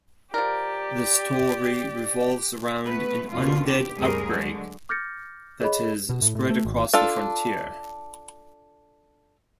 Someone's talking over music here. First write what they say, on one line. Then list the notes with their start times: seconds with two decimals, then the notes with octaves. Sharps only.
The story revolves around an undead outbreak that has spread across the frontier.
0.34 F3 G4 A#4 D5
2.85 A3 B3 B4
3.30 D#2 B2 D3 F4
3.67 G4
3.97 D2 G2 C3 G3 G#4 A#4
4.29 D3 F#3 G#3
4.89 D6 F6 G6 A6 A#6 C#7
5.61 G#4 C#5 D#5 B5
6.09 B2
6.22 A2
6.35 A2
6.49 A3
6.65 G#1
6.94 D4 F4 A4